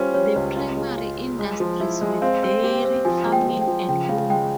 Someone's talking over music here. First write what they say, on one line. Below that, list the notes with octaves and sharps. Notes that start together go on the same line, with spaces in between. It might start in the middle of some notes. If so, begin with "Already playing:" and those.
The primary industries were dairy farming and lumber.
Already playing: G3 C#4 F4 C5
G3 C#5
C#2
F4
G#3
F4
F4
G#3
F3
E4
G#3
C4 F5
C4
G4 G5
C4
F3 G#5
G#3
G5
F3
G5
F3
C#3 G5
C#3 F5
G#3 G5